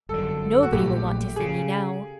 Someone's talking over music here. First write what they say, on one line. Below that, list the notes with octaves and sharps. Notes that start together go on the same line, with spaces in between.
Nobody will want to see me now.
G1 F#2 D3 A4
F#4
A#1 A#2 F#3 A3 G4
C#3 G#4